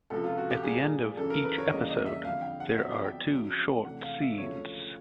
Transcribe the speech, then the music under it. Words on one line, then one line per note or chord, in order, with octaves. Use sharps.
At the end of each episode, there are two short scenes.
C#2 C3 F3 A4
F4
F#4
G4
A#2 G3 A#3 D4 G#4
F#2 C#3 E3 A4
A#4
B4
C#5
E2 C#3 E3 G3 A#3 D#5
D#5
E5
F2 D3 G3 F5
G5
F#5
F2 D3 F#3 B3 D4 E5
G5
F2 C#3 F#3
C3 E3 A3 D4 F#5
F5
E5
D2 C#3 F3 A3 C#5